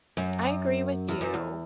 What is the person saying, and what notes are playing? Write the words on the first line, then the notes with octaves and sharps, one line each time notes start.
I agree with you,
F#2
E2
F#2
E2